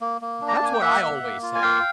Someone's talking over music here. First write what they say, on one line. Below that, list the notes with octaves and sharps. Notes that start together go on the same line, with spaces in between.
That's what I always say.
A#3
A#3
D4
A#5
A5
A#3 G#5
G5
A#3 E5 F#5
A#3
A#3
F4
G#5
A#3 F5 G5